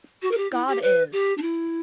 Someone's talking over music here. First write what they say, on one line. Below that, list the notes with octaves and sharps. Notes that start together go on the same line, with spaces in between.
God is.
F#4
A#4
G4
E4
G4
B4
G4
D4
E4